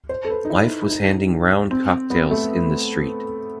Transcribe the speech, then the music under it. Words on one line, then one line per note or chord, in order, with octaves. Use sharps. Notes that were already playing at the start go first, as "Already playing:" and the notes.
Life was handing round cocktails in the street!
C5
A4
B4
D#4
E4
D#4
C4
B3
A3